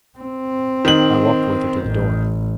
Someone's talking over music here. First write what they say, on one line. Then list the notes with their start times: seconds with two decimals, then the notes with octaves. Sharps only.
I walked with her to the door.
0.18 C4
0.85 D#3 F#7
1.86 A1